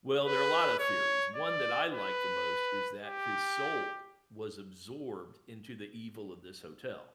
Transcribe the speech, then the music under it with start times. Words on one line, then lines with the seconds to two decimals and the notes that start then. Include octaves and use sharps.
Well, there are a lot of theories. One that I like the most is that his soul was absorbed into the evil of this hotel,
0.24 B4
0.79 C#5
1.36 D5
1.91 B4
3.03 G4